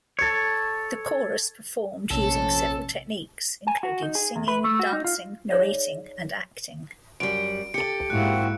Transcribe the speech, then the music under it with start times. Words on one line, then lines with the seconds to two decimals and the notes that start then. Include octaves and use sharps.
The chorus performed using several techniques, including singing, dancing, narrating, and acting.
0.19 A4 C#5
2.11 A#1 F2 C3 C#4 A4
3.67 G#5
3.83 F#4
4.03 D#4
4.15 G#4
4.36 E2
4.48 B4
4.64 A3
4.79 F#4
4.93 D#4
5.04 F4
5.50 D#4 G#4 C#5 D5 E5
7.20 F#2 G3 D7
7.74 G4 A4 C#7
8.10 G#2 A#3 C4 E4 F#4 F#6